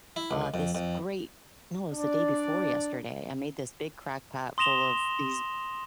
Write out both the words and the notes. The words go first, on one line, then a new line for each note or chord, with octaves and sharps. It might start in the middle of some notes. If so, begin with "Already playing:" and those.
uh, this great no, it was the day before yesterday, I made this big crock pot full of these
E4
C#2
F2
F2
D4 D5
C6 D#6 A#6 E7 F7 G7